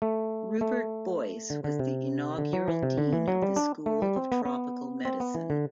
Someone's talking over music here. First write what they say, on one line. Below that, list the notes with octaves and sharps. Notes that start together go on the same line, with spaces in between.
Rubert Boyce was the inaugural Dean of the School of Tropical Medicine.
A3
A3
D3
D3
C3
D3
F#3
E3
C3
D3
E3
F#3
G3
D4
A3
G3
C4
B3
B3
C4
B3
E3
D3